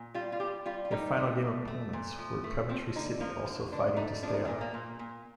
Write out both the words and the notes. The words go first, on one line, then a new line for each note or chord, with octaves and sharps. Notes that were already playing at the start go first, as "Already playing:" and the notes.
Their final game opponents were Coventry City also fighting to stay up.
Already playing: A#2
G3 F4
F4
G3 G4
G3 F4
F4
G3 D#4
A3
A3
A3
A#2
F3
A3
F3 C4
D3 D#4
F3 A#3
D3
D3 D4
A3 D#4
F3 D4
D#4
D4
A#2
A#3
A#2
A#2